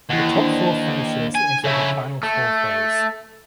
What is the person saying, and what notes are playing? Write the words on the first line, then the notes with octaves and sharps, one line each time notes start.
The top four finishers enter the Final Four phase.
D#2 E3 F#5
D4 C5
G#5
C#3 E4 A4 C#5 E5
A3